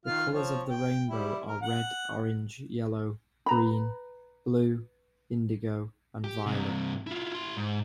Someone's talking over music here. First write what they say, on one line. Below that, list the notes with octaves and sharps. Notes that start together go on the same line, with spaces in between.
The colours of the rainbow are red, orange, yellow, green, blue, indigo, and violet.
D#3 F4 F6
F3 C4 C#5
G5
G3 E4
A#4
F#5
B4 A#5 B5
G4
G2 C3
E4 F4
E4 C6
G#2